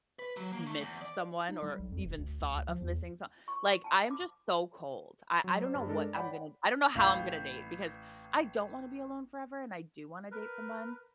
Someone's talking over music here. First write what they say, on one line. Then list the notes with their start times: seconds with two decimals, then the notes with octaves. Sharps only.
missed someone or even thought of missing some like I'm just so cold. I I don't know what I'm gonna I don't know how I'm gonna date, because I don't wanna be alone forever and I do wanna date someone,
0.19 B4
0.37 F#3
0.53 A#3
0.67 A3
0.81 E2
1.02 D5
1.49 D#4
1.63 G3
1.79 B1
1.92 F2
2.05 F1
2.18 D2
2.40 D2
2.54 D2
2.68 F3
2.81 E2
3.48 C#6
3.84 G#5 A5
4.11 D6
5.44 F#3
5.60 C5 D5
5.75 G2
5.87 G#3 D4 A4 A#4
6.00 D5
6.14 C#5 D5 F#5 G5 B5
6.95 A1 F5 B5 G6
10.31 A#4 B4